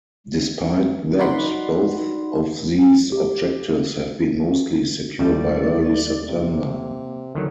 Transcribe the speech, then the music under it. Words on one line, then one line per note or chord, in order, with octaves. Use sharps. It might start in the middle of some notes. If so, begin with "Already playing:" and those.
Despite that, both of these objectives have been mostly secured by early September.
D#4 F#4 D5 F#5 B5 C6
G4
D#2 A2 G3 A3 D5
C3 A#3
D1 D3 D#3 F#3